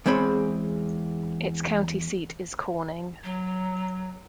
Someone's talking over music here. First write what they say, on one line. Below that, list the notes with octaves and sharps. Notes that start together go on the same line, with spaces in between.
Its county seat is Corning.
E2 G#3 C4 C#5 B5
F#3